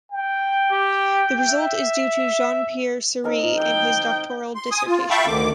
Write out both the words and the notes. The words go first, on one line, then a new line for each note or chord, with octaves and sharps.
The result is due to Jean-Pierre Serre in his doctoral dissertation.
G5
G4
E5
C4 D#4 A#4
G5 D#6
C6
G#5 D#6
F4
E5 F5 G5 A5 B5 C#6
D2 D3 D#3 D6